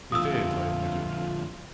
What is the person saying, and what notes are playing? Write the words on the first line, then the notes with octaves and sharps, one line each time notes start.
"It is," I admitted.
F2 D3 A3 F4 D#6 E6